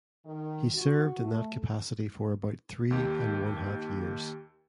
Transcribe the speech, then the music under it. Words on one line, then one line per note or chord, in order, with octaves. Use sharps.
He served in that capacity for about three and one half years.
D#3
F#4
A3
D#2 G4